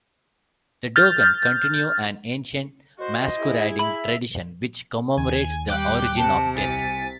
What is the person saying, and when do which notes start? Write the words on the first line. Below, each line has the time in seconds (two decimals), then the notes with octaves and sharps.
The Dogon continue an ancient masquerading tradition, which commemorates the origin of death.
0.96 F6 G6 A6
2.99 F#4 C5 D#5
3.37 E4 G#4
3.79 E5 B5
5.18 D#2 G#5
5.68 G3 G5 D6 F#6
6.17 C3 A5
6.56 C2 G#5 A6 B6